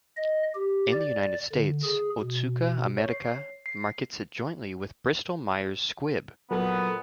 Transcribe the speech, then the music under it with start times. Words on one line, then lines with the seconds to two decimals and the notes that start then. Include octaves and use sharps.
In the United States, Otsuka America markets it jointly with Bristol-Myers Squibb.
0.17 D#5
0.55 G4
0.92 D5
1.52 D3
1.83 G#4
2.21 B2
2.98 C#5
3.11 C7
3.66 C7
6.51 A#2 F#3 B3 A4